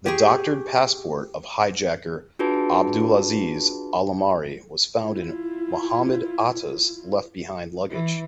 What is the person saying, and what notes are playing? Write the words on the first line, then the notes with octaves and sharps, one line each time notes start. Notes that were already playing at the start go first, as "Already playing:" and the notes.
The doctored passport of hijacker Abdulaziz Alomari was found in Mohamed Atta's left-behind luggage.
G4 G#4 C#6
D4 F4 F#4 G#4 B4 A5
E4 F4
E3